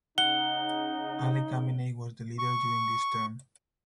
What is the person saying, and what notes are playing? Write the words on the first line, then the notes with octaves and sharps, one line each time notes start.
Ali Khamenei was the Leader during this term.
C#3 D#4 F#5 G7
C#6